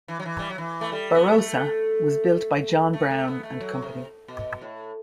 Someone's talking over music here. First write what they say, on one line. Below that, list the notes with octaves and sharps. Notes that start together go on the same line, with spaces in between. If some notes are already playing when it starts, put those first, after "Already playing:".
"Barrosa" was built by John Brown and Company.
E3
F#3
E3
G3
F#3
E3
A3
G3
B3
A3
A3
A3
B3
A3
F#3
C3
B2
A2